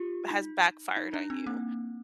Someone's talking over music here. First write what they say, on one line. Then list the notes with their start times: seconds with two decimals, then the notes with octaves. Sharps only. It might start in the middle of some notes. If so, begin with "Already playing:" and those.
has backfired on you?
Already playing: F4 G4
0.31 D#4
0.97 D#4
1.14 D4
1.30 C4
1.46 A#3